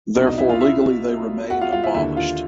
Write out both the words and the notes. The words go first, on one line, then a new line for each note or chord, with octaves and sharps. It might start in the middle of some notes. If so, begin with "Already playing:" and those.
Therefore legally they remain abolished.
C2 B2 D4 D5
D#4 D#5
E4 E5
F4 F5
E4 E5
F#4 F#5
F4 F5
F4 F5
E4 E5
D#2 D3 E4 E5
F4 F5